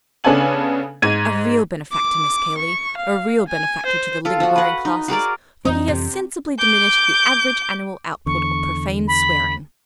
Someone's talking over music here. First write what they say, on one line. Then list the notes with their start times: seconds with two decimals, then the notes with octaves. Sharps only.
'A real benefactor, Miss Cayley; a real benefactor to the link-wearing classes; for he has sensibly diminished the average annual output of profane swearing.'
0.24 C#3 B3 D4 A4 G#5 F#7
1.02 G#2 G#6 D#7
1.92 D6
2.58 C#6
2.97 F5
3.48 G#5
3.86 C5
4.25 F4 A4
4.40 F3 F#4
4.56 B4 F#5
4.85 D#4
5.08 F#4 G#4 A#4 D5
5.65 F2 E3 C4 D#4
5.88 C3
6.59 D6 G6
8.26 E2 D3 C#6
9.08 B5